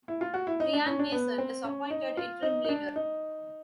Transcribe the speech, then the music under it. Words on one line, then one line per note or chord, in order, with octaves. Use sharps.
Brian Mason is appointed interim leader.
E4
F4
F#4
E4
D#4
D4
C#4
D4
B3
C4
C#4
D#4
F4
D#4
D#4
D4
D#4